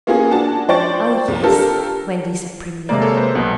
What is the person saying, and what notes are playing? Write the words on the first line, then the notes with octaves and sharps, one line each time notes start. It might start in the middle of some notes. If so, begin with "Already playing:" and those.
'Oh yes,' Wendy said primly.
A#3 B3 C#4 F4 G#4
D4 F#4 A5
F3 C5 D5 G5 C#6 A6
C2
D4 F4 G4 A4 A#4
C3 G#3 A#3 D5
A4 C#5
B4 C5
B1 B2